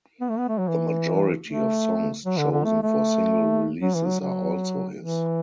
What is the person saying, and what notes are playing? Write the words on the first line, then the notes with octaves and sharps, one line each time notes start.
The majority of songs chosen for single releases are also his.
B3
A3
B3
A3
F#3
E3
A3
F#3
D3
D3
A3
A3
F#3
E3
F#3
F#3
E3